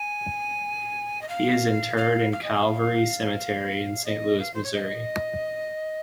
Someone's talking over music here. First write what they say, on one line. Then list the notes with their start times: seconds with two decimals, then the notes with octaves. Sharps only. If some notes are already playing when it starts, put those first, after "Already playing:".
He is interred in Calvary Cemetery in Saint Louis, Missouri.
Already playing: G#5
1.22 D#5
1.28 F5
1.97 F5
2.32 F5
2.43 D#5
2.54 F5
4.05 D#5
4.40 F5
4.54 C5
4.64 C#5
4.74 D#5